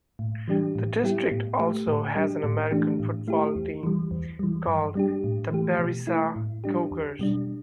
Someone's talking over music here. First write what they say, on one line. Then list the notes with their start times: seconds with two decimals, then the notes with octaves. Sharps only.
The district also has an American football team called the Berryessa Cougars.
0.19 A2
0.48 E3 G3 D4 G4
0.75 A2
1.03 G3 B3 E4 G4
1.31 A2
1.59 A3 G4
1.87 A2
2.15 G3 D4 G4
2.44 A2
2.71 E3 A3 D4 G4
3.00 A2
3.28 A3 E4 G4
3.56 E2
3.83 E3 G3
4.11 E2
4.39 E3 G3
4.67 G2
4.95 G3 D4 G4
5.24 A2
5.51 E3 A3 G4
5.79 B2
6.07 A3 E4
6.36 A2
6.64 G3 D4 G4
6.91 E2
7.19 B2 G3 D4